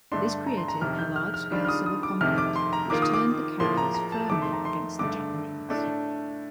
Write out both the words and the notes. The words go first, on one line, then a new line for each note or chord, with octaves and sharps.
This created a large-scale civil conflict which turned the Karens firmly against the Japanese.
G2 D3 A3 D4 C6
A#5
C6
A#5
F2 C3 D#3 F6
G6
F6
F6
D#3 G3 D4 F4
F6
D#6
D#6
D6
F2 C3 D#3 A3 F6
D6
C6
A#5
D#3 A#3 F4 D6
D#6
D6
A2 F3 A#3 C6
A#5
A#5
A5
F2 D#3 A3 D6
C6
A#5
C6
G2 D3 A3 D6
A2 A3 D4